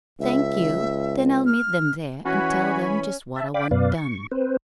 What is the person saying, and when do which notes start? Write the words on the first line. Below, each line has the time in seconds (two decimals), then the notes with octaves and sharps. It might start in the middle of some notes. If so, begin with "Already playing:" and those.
"Thank you; then I'll meet them there and tell them just what I want done."
0.20 C#2 E5
1.47 F6
2.25 E3 C#4 F#4 C#5 G#5 B5
3.36 E5 A5
3.54 D5 F5 G5 B5 D6
3.71 F#2 B2 B4 D5 F5
3.95 C#6
4.31 C4 B4 C5